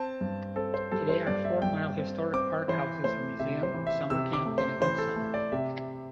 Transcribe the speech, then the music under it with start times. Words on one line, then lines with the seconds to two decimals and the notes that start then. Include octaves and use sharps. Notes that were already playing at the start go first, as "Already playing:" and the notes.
Today Four Mile Historic Park houses a museum, summer camp, and events center.
Already playing: C4 A5
0.21 G2
0.56 C4 A4
0.74 C5
0.91 G3 A4
1.09 C5
1.27 G2 D5
1.45 E5
1.62 G2 G5
1.98 C4
2.33 C4 D6
2.68 E3 C5
3.04 A3 C5
3.40 C3 E5
3.63 C5
3.74 E3
3.87 E5
4.10 C3 E6
4.33 D6
4.46 A3
4.58 C5
4.81 E3 C5
4.98 A4
5.16 A3
5.34 D5
5.52 C3 E5